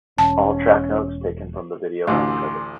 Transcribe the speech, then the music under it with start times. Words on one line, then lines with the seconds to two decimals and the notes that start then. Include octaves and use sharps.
All track notes taken from the video end credits.
0.18 E1 C#4 A5
2.07 A1 D2 C6 D6